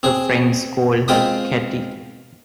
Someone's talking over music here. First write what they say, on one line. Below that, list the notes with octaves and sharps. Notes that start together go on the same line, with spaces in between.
Her friends called her Kattie.
C4 G#4
G#3 C4 F4 G5 B5 D#6